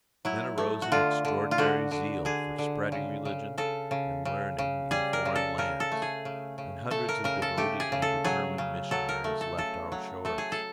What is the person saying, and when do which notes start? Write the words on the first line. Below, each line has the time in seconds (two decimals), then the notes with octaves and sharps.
Then arose an extraordinary zeal for spreading religion and learning in foreign lands; and hundreds of devoted and determined missionaries left our shores.
0.25 F#3 E4
0.58 A3
0.82 F#4
0.92 D3 F4
1.25 D3
1.51 F4
1.58 D3 F#4
1.91 D3
2.25 D3 G#4
2.58 D3
2.92 C#3
3.25 C#3
3.58 C#3 A4
3.91 C#3
4.25 C#3
4.59 C#3
4.91 G3 G#4
5.13 A#4
5.25 C#3
5.35 A4
5.58 C#3 A#4
5.80 A4
5.92 A3
6.02 G#4
6.25 C#3
6.58 C#3
6.90 A3 A4
7.09 A#4
7.24 C#3 A#4
7.42 A4
7.57 A3 G4
7.80 G#4
7.92 C#3
8.02 A4
8.24 F#3 G#4
8.58 C#3
8.91 F#3 A4
9.09 A#4
9.24 A3
9.41 A4
9.58 C#3 A4
9.92 F#3
10.25 A3 A4
10.38 G#4
10.52 A4